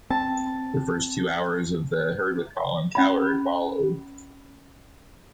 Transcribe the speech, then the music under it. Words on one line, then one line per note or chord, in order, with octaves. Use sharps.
The first two hours of "The Herd with Colin Cowherd" followed.
C4 A5
C#4 B5